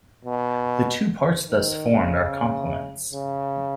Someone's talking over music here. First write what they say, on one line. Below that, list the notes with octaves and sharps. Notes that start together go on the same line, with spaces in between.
The two parts thus formed are complements.
B2
D#3
C#3
C#3